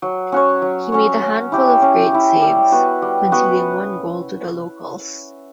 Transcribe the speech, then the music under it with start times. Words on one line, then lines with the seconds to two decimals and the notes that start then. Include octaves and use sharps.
He made a handful of great saves, conceding one goal to the locals.
0.02 F#3
0.32 C#4 F#4 C#5
0.62 F#3
0.92 C#4 F#4 C#5
1.22 C#4
1.52 E4 G4
1.82 C#4
2.12 E4 G4
2.42 G3
2.72 B3 F#4 B4
3.02 G3
3.32 B3 F#4 B4